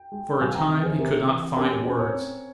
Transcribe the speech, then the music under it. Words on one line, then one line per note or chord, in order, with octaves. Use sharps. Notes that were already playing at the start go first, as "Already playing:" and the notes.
For a time he could not find words.
Already playing: G5
G#3
C2 F5 G#5
G5 A#5
C3
G#4 C5
C3 G4 A#4
E3
C#4 G4 A#4
G4 A#4
C#4 G#4 C5
A#4 C#5
C4